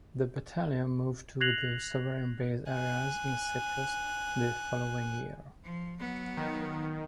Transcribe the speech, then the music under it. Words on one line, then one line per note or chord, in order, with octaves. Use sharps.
The battalion moved to the Sovereign Base Areas in Cyprus the following year.
F#6 G#6 A#6 C7 F7 F#7
G#5 F#6
F3
F#3 B3
D#3